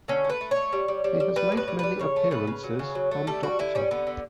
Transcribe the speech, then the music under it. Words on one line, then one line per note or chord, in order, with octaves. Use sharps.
He has made many appearances on 'Dr.
D3 C#4
A3
B4
A3
A3 C#5
G3
G3
G3
G3
G3 B4
A2
B4
G3
G3 B4
C#3 C#5
A3
C#3 B4
C#3
F#3
C#3
F#3
A3
G3 A4
G3 F#4
D3 E4
G3 C#4
D3 B3
D3